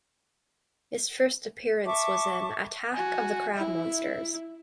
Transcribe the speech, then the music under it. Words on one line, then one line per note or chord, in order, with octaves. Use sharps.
His first appearance was in "Attack of the Crab Monsters".
E5 A5 C#6 D6
F#4 G#5
E4